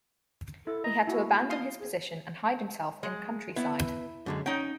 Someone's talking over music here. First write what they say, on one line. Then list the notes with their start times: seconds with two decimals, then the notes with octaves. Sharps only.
He had to abandon his position and hide himself in countryside.
0.67 E4 A4
0.84 D#5 A#5
1.07 A#3 E4 F#4
1.49 F5 C6 D#6
1.80 G#4
3.03 G#3
3.56 B3 E4
4.26 F#2 D3 G#3
4.46 C#4 D#4 G5